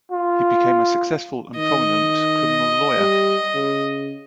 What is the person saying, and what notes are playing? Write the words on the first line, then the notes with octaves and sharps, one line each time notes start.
He became a successful and prominent criminal lawyer.
F4
D#3 D#5
G3
C#3